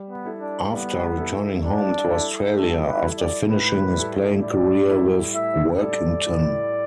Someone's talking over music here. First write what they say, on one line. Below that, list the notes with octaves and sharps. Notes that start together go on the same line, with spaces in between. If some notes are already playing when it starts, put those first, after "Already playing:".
After returning home to Australia after finishing his playing career with Workington.
Already playing: G3
B3
E4 A4
D4
G3 B3
E4 A4
G3 D4
E4 A4
G3 A4
B4
E4 A4
D5
A2 B4
G3 E4 A4
A2 D5
G3 E4 A4
A2 E5
G3 E4 A4 D5
A2